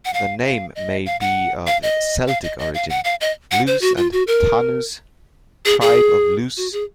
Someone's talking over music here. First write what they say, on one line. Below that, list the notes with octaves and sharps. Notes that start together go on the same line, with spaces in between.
The name may be of Celtic origin: "Lus" and "Tanus", "tribe of Lus".
F#5
F5
F5
D#5
F5
F#5
F5
D#5
F5
D#5
D#5
F5
F#5
F5
D#5
F#5
C5
F#4
F4
F#4
A#4
G#4
G#4
F#4
G#4